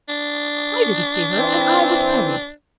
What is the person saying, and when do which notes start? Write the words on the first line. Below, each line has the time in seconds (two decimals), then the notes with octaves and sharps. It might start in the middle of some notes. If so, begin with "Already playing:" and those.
"I didn't see her, and I was present."
0.09 D4
1.36 E3 C4